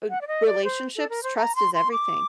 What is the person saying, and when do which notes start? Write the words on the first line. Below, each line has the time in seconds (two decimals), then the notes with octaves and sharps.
r relationships, trust is everything.
0.10 F#5
0.21 D5
0.27 D#5
0.46 D5
0.64 C5
0.96 A4
1.09 A#4
1.23 C5
1.37 A#5
1.56 C6
1.74 C6
1.92 D6